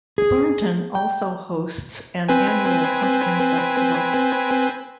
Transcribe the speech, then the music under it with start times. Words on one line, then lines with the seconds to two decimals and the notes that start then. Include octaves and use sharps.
Thornton also hosts an annual Pumpkin Festival.
0.18 G#4
0.95 G5
2.29 C4 B4 G#5